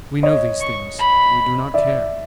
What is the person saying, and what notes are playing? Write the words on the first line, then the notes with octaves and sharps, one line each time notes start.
We know these things, but we do not care.
C#5 D#5
C#6
B5
D5 E5